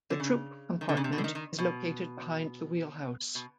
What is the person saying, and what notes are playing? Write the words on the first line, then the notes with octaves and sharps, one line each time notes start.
The troop compartment is located behind the wheelhouse.
D3
C#3
D#3
D3
C#3
C3
B2
D3
D#3
D#3
B2
B2